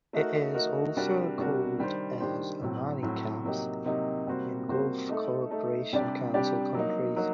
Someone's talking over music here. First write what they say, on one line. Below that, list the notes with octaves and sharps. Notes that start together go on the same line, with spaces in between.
It is also called as "Omani caps" in Gulf Cooperation Council countries.
A3 D#4 F#4 A#4
A3 D#4 F#4 A#4
C3 G3 D4 F#4 A#4
C3 G3 D4 F#4 A#4
D#3 G3 D4 G4 C5
D#3 G3 D4 G4 C5
A2 F#3 C4
A2 F#3 C4
C3 F#3 A#3 D#4 G4
C3 F#3 A#3 D#4 G4
C3 G3 A#3 F#4 C5
C3 G3 A#3 F#4 C5
A3 D#4 A4
A3 D#4 A4
C3 G3 D4 G4 D5
C3 G3 D4 G4 D5
F#3 A#3 D#4
F#3 A#3 D#4